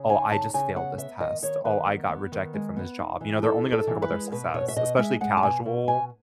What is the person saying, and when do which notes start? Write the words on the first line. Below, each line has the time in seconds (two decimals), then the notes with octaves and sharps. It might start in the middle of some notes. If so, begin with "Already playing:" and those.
"Oh, I just failed this test, oh, I got rejected from this job." You know? They're only gonna talk about their success, especially casual
Already playing: C#3
0.09 D#4 G#5
0.32 C#3 A5
0.54 C#3 G#5
0.76 B3 F#5
0.98 B3 E5
1.20 D#3 D#5
1.42 D#3 C#5
1.65 D#3 B4
1.87 B3
2.09 B3
2.32 D#3
2.54 G#3
2.77 B3
2.99 D#4
3.21 E3
3.43 D#4 A4
3.65 D#4
3.72 A4
3.87 E3
4.02 B4
4.10 G#3
4.32 B2 B4
4.54 B2 C#5
4.68 E5
4.76 B2 D#5
4.98 G#3 E5
5.21 G#3 F#5
5.37 A5
5.43 B2 G#5
5.66 B2
5.88 B2 G#5